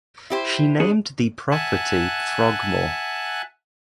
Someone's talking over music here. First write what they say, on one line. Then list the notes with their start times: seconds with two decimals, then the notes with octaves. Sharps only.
She named the property Frogmore.
0.30 E4 G4 C5
0.80 D4 G#4 C#5
1.51 E5 F#5 G#5 A5 F#6